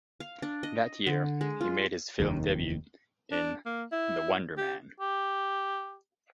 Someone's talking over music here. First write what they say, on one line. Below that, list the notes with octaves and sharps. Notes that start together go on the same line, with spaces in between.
That year he made his film debut in "The Wonder Man".
F5
D4
D#5
D3
G#3
F4
F1 D#2 D#3
D4
A#3
E4
G4
G4